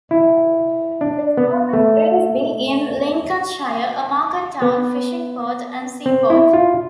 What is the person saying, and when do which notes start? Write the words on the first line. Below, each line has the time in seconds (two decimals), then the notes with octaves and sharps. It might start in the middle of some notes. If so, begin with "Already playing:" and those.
The town of Grimsby in Lincolnshire, a market town, fishing port and seaport.
0.11 E4
1.01 D4
1.37 B3
1.73 A3
4.62 B3
6.06 C4
6.30 E4
6.53 F4